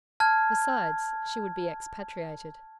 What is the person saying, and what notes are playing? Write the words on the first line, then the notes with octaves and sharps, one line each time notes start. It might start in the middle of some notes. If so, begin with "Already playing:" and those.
Besides, she would be expatriated.'
A5 F6 G#6